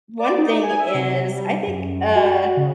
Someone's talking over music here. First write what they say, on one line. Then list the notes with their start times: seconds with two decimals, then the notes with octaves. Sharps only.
one thing is I think, uh,
0.19 D5
0.38 D#4
0.63 G#5
0.80 E5
0.94 C3
1.28 G3
1.67 F#2
2.15 F#4
2.57 C#3